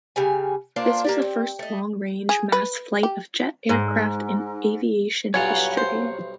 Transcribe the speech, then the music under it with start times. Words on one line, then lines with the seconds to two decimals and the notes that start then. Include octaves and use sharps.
This was the first long-range mass flight of jet aircraft in aviation history.
0.16 C#3 G3 G#5
0.76 A#3 D4 F4 C5
1.04 A#3 G4 D5
1.22 C4
1.59 A3 D#5
2.29 G#4
2.52 B4
3.03 G4
3.69 G#2
5.34 B1 G2 F4 B4 C#5 F#5 G#5 A#5
5.77 C5